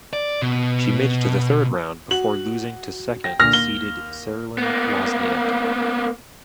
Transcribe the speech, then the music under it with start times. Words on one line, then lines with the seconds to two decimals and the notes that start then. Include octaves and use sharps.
She made it to the third round, before losing to second seeded Caroline Wozniacki.
0.13 D5
0.42 B2
2.11 F#4 F#7
3.24 G5 A#6
3.40 A#2 D3 F6 A#6
3.53 D#2 G7
4.58 A#3 B3